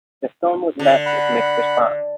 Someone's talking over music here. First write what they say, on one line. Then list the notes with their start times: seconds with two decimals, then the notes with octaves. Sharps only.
The film was met with mixed response.
0.79 D3
1.06 F#5 B5